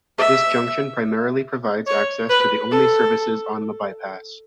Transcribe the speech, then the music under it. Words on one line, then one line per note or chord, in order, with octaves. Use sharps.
This junction primarily provides access to the only services on the bypass.
E5
C#5
B4
A4